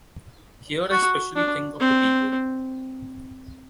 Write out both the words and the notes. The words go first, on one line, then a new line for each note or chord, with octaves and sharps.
Here I specially think of the people.
F#4
D4
C4